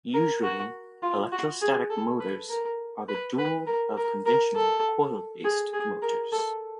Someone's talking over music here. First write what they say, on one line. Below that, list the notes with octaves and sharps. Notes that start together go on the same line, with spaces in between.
Usually, electrostatic motors are the dual of conventional coil-based motors.
A#4
F#4
F4
F#4
G#4
A4
B4
A#4
B4
B4
A#4
A#4
A#4
A4
G#4
G#4
A#4
A4